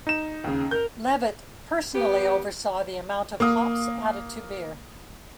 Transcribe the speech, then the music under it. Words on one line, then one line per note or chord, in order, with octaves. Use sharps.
Levett personally oversaw the amount of hops added to beer.
D#4 E7
D#2 C#3
A#4 G6
B3 G4
A#3 D#6